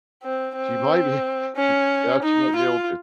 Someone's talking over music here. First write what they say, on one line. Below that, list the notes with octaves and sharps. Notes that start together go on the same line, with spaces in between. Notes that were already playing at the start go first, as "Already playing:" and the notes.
She might be she yeah, she might be able to.
C4
C4
C#4
D#4
F4